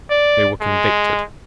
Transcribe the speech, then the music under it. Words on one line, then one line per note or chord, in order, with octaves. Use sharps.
They were convicted.
D5
G#3